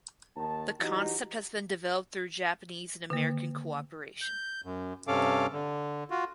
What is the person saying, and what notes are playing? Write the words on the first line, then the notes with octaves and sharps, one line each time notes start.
The concept has been developed through Japanese and American cooperation.
D#2 D#3 A5
E3 F#3 D#4 F#4 G4
D3 D#3 A#3
G6
F#2
G2 C3 C#4 A4 F5 D6
D3
F4 F#4